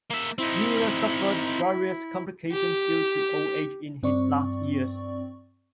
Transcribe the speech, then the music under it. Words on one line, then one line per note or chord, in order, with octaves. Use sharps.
Miller suffered various complications due to old age in his last years.
A#3 E5
C4 D#4 E4
G4
G2 C4 D5 C#6